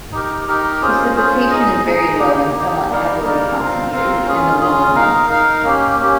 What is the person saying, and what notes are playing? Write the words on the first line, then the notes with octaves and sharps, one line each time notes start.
Precipitation is very low and somewhat heavily concentrated in the warmer months.
D#4 G4 A#4
D#4 G4 A#4
C#4 F4 G#4 C5
C#4 F4 G#4 C5
D#4 G#4 D#5
D#4 G#4 D#5
A#3 D#4 G4
A#3 D#4 G4
G3 A#3 D#4 A#4
G3 A#3 D#4 A#4
C4 F4 A#4 F5
C4 F4 A#4 F5
C#4 F4 G#4
C#4 F4 G#4
D#4 A#4 F5
D#4 A#4 F5
A#3 C#4 G4
A#3 C#4 G4